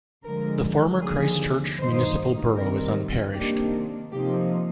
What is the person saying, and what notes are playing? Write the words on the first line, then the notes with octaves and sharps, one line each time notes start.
The former Christchurch Municipal Borough is unparished.
D3 F3 G#3 A#4
D#2 D3 F3 G#4
G2 D#3 A#3 D#4 C5
C3 D#3 G3 A#4
C3 D#3 A#3 D4 G4
C3 F3 A#3 D#4 G4